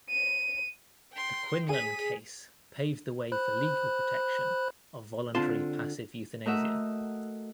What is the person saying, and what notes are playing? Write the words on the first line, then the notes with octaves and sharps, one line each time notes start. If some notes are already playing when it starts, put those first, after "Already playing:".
The Quinlan case paved the way for legal protection of voluntary passive euthanasia.
D#7
G5 C6
G#4 B6 D#7
C5 B5 F#6
D3 C4 F4 A5 C6
A3 F#4 A#4 D#5 E5 F#5